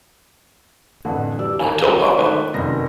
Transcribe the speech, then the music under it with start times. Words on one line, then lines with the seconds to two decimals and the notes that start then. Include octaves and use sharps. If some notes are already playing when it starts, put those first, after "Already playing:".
Don’t tell papa.
1.05 F2 A2 D3 E3 A3 F#5
1.38 E3 G3 D5 E6
1.59 A#4 C#5 F5 G#5 A5 B5
1.89 F#3
2.18 D#3 A3 D#4 F4 B4
2.54 F1 F#2 D#3 A#6